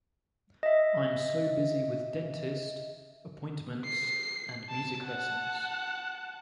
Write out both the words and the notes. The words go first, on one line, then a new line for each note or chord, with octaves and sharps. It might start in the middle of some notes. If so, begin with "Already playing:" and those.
I'm so busy with dentist, appointments, and music lessons.
D#5 E5
C7
A5
F#5 A5